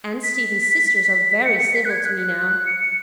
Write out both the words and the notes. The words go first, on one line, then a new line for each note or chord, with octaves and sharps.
And Stephen's sisters are very civil to me now.
B6
C#7
C#7
B6
F#6
G#6
F#6
C#7
C#7